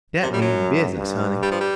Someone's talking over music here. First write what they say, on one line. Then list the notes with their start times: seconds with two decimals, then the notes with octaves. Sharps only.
Dat mean business, honey.
0.23 F#2 C3
0.33 G3
0.42 F#3
0.96 G2
1.43 G3
1.51 F3
1.61 G3